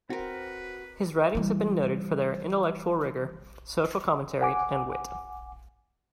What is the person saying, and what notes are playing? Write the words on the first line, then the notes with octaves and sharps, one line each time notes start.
His writings have been noted for their intellectual rigor, social commentary, and wit.
C4 F#4 A#4 B4
E3 G3
F#5 G#5 D6